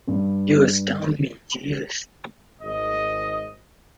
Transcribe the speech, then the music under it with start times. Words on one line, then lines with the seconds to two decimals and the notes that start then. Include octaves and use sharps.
You astound me, Jeeves.
0.08 G2
2.62 G#1 D#5